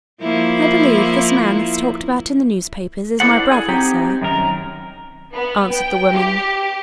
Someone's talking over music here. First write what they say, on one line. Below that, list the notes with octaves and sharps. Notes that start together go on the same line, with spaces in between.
"I believe this man that's talked about in the newspapers is my brother, sir," answered the woman.
F3 A#3 E4
D4 E4 G#4 A4 C5 F#5
G#4
C4 D#4 G4
F#2 D#3 A#4
B3
G5
G4